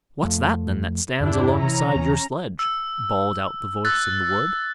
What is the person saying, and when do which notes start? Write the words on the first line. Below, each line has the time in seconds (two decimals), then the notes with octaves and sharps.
'What's that then, that stands alongside your sledge?' bawled out the voice in the wood.
0.23 F2 F3 A3
1.20 E2 G2 D4 E4 G4
1.59 C3 E3 C#4 A#5
1.95 D#2 B2 E3
2.59 E6
3.85 E6 F#6 A6